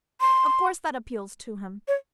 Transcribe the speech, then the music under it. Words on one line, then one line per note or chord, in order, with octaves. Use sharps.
"Of course that appeals to him."
C6
C#5